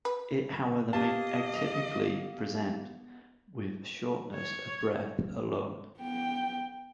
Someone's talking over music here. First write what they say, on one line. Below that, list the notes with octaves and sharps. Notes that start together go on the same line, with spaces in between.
It however may atypically present with shortness of breath alone.
B4
B3 G4 D#5 F5 A5
C#5
B3 G5